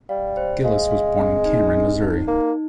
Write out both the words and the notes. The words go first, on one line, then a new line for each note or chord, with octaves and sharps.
Gillis was born in Cameron, Missouri.
G3 F5
C5
G#3 F5
F5
C4
D#4
C4
D#4
A#3 D#4